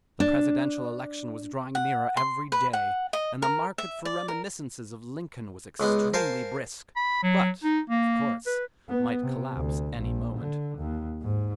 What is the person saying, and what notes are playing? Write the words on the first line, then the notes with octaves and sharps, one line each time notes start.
The presidential election was drawing nearer every day and the market for reminiscences of Lincoln was extremely brisk, but, of course, might collapse any moment.
D4
F#5
C6
B4
F#5
D#5
A#4
E5
D5
A#4
C#2 G#3 B3
A#4 C5 F5 G#5 A5
B5
F#3
D#4
A#3
B4
B3
C3
D2
A#1
D3
D#2
G#2